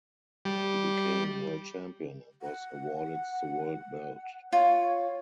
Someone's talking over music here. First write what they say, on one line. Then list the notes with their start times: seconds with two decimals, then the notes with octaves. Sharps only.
He became World Champion and was awarded the world belt.
0.45 G3
2.42 F#5
4.52 F4 C#5